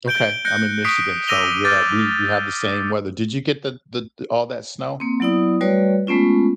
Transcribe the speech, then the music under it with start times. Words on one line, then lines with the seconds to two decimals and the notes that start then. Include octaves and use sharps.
Okay, I'm in Michigan, so, yeah, we we have the same weather. Did you get the the all that snow?
0.08 G6 D7 G7
0.45 F#6 G6 A#6 C#7
0.84 C#6 D#6 G6 B6 C7 D7
1.27 D6 E6 A#6 D#7 F7 G7
1.65 D6 F6 G6 A6 A#6
5.00 A#3 C4
5.20 F#3 B3 E4 D5 D#6
5.61 G3 A3 F#4 B4 C#5 D5
6.07 G#3 A3 B3 C#4 F4